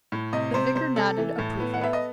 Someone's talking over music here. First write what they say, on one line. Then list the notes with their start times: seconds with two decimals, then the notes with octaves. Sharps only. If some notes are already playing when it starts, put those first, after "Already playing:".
The vicar nodded approval.
0.12 A2
0.33 C3 D#5
0.54 C3 C5
0.75 C3 C5
0.96 C3 A4
1.17 E3
1.38 A2
1.60 B3
1.74 F#5
1.81 B3 E5
1.93 D#5